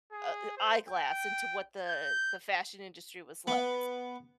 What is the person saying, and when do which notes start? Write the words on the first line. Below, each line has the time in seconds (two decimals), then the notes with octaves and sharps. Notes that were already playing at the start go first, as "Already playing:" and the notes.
uh eh eyeglass into what the the fashion industry was like it’s
0.12 G#4
0.57 C5
0.88 G5
1.87 G6
3.47 B3